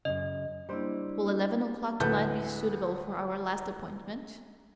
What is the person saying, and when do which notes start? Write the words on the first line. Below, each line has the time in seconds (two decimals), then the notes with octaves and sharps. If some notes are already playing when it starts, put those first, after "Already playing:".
"Will eleven o'clock to-night be suitable for our last appointment?"
0.05 F#2 A2 C#3 D#5
0.69 G3 A#3 D4 E4 C5
2.00 D2 A2 A4 B4 G6